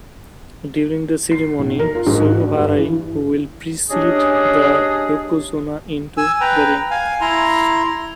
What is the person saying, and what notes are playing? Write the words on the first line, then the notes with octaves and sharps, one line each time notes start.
During the ceremony the "tsuyuharai" will precede the "yokozuna" into the ring.
C7
B1
A#4
F4
G#2
F#4
D4
G2
E3
C#4 D4 G4 G#4 D#5
G#5 E6
B4 G5 A#5
F5 G#5
E4 A#5 C6